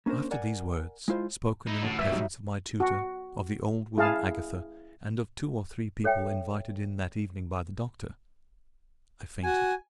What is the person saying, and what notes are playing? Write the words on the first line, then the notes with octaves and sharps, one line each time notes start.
After these words, spoken in the presence of my tutor, of the old woman Agatha, and of two or three people invited in that evening by the doctor, I fainted.
A#3 C#4 D4 A#4 C5
A#4 D5 F#5 G#5
G#3 E4 F4 C5
D#4 E4
A1 D2 A2
B1 F#2 B4 E5
F#3 G3 D#4
F#4
E4 G#4 F5 A5
A4 C#5 E5 G5
F#4 G#5